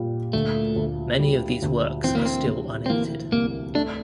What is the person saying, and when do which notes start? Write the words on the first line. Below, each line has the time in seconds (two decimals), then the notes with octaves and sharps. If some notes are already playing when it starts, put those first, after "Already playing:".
Many of these works are still unedited.
Already playing: A#2 G3
0.33 D2 A3
0.76 D2
1.19 G3
1.62 D2
2.04 E3 C4
2.15 A#3
2.26 C4
2.47 C3
2.86 C4
2.90 E3 A#3
3.32 C2 A#3
3.75 A3 D4